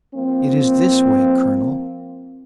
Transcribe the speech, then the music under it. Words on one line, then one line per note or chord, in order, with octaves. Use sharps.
It is this way, colonel.
F3 A#3 C4